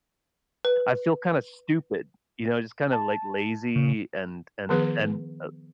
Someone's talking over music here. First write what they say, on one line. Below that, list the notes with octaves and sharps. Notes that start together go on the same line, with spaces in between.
I feel kinda stupid. You know? Just kinda, like, lazy and and and, uh
B4
A5
C#3
D#3 F3 B3 G#4 B4